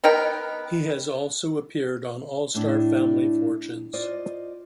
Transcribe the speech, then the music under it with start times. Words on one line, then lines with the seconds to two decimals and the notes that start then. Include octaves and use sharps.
He has also appeared on "All Star Family Fortunes".
0.04 B3 D#4 A#4 G5
2.55 A2 D4
3.93 F4 C5 D5 D#5